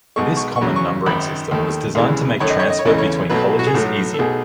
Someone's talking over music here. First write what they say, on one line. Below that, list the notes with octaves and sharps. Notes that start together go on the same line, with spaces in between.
This common numbering system was designed to make transfer between colleges easier.
B1 B2 G#3 C#6
C#6
C#6
E2 C#3 F#3
C#6
G#1 F#2 D#3 B5
D#2 D#3 A3
D#2 C#3 E3 G#3
F#2 D#3 A3 C#5
D#5
C#5
D#5
C#5
E2 C#3 E3 A3 D#5
C#5
B1 B2 F#3 A3 B4
F#4
G#4
B1 A2 F#3 A3 A4
A4
B1 B2 A3 G#4